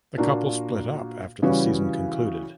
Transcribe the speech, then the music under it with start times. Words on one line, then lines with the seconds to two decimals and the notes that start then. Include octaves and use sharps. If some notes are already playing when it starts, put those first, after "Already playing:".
The couple split up after the season concluded.
0.18 A#2 A#3 D4 F#4
1.42 C#3 E3 G3 C#4 F#4